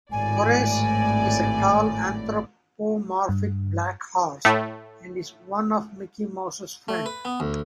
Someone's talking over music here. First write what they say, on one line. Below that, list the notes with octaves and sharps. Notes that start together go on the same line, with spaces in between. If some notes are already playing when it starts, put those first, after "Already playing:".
Horace is a tall anthropomorphic black horse and is one of Mickey Mouse's friends.
G#1 A2 D5 G#5
G2
A2 A3
A3
B4
B3
D2